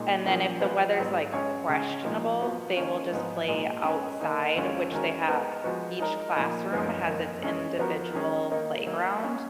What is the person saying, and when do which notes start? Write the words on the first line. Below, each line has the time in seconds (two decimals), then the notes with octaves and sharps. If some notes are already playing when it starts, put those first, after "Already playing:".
and then if the weather's, like, questionable, they will just play outside, which they have each classroom has its individual playground,
Already playing: A#2 G#3 D#4
0.25 A#2 F3 A#3 C#4
0.60 F3 G#3 B3 F4 B4
0.97 G#2 F#3 B3
1.32 G#3 C#4 G#4 C#5
1.69 C#3 G#3 C#4
2.04 A#2 F3 A#3 D#4
2.41 F3 B3 F#4
2.76 D#3 A#3 C#4 F4
3.12 G#2 F3 B3 D#4
3.48 A#2 G#3 D#4
3.83 G#3 C#4 G#4 B4 D#5
4.20 D#3 A#3 D#4
4.56 F2 D#3 G#3 C#4 F4
4.92 D#3 G#3 C#4 F#4 A#4
5.27 G#3 B3 D#4 A#4
5.64 F3 G#3 B3 F#4
5.99 G#3 D#4 A#4 D#5
6.36 A#2 F3 A#3 D#4
6.72 F#2 F3 B3 D#4
7.07 F2 D#3 A#3
7.43 G#3 C#4 G#4 D#5
7.79 F3 B3 F#4 A#4
8.15 D#3 G#3 C#4 G#4 D#5
8.51 D#3 A#3 D#4
8.86 D#3 F#3 A#3
9.23 G#3 C#4 G#4